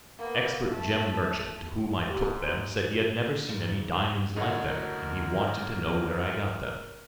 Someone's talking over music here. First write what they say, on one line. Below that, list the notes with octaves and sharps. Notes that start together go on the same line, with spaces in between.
An expert gem merchant, to whom I took them, said he had never seen any diamonds like them, and he wanted to know where I got them.
A#3 B3
A3
G#2 G4
G#2 C#3
F#2 A2 D3 D#4 F#4 A#4